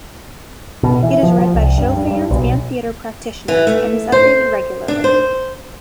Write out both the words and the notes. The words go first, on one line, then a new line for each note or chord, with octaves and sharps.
It is read by show fans and theatre practitioners, and is updated regularly.
B2
E3
F3
F3
C2
G2
G2
G2
B1
E3
A3
C5
D4
C5